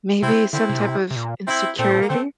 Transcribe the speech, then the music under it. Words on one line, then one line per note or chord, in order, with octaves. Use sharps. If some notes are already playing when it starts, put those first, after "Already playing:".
maybe some type of insecurity.
C3 C4 E4
D3 C4 E4
C3
A#2
C3
C3
A#2
C4 E4
A#2 A3 C4
A2
A#2
A#3
D3 A3 C4